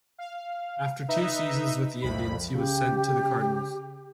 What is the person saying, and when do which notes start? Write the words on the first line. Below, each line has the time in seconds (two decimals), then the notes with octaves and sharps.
After two seasons with the Indians he was sent to the Cardinals.
0.18 F5
1.08 D#4 B4 E5
2.02 C2 F2 B5
2.55 C#3 G4